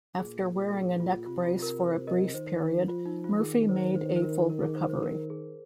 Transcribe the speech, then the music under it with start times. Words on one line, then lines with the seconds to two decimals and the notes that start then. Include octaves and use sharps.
After wearing a neck brace for a brief period, Murphy made a full recovery.
0.19 A#2 G#4
0.73 G#4
1.00 F4
1.26 C3 F4
1.44 F4
1.62 A#4
1.80 C5
2.07 A#4 D#5
2.34 D#3 C5
2.88 F3 F4
3.05 D#4
3.24 F4
3.42 D#3 G#4
3.69 C5
3.96 C5
4.16 C5
4.22 A#4
4.50 A#4
4.63 G#4
4.76 C5
4.90 C5
5.03 A#4
5.30 G#4